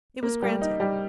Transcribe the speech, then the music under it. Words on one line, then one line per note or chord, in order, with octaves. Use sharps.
It was granted.
A#3
G3
D#4
G3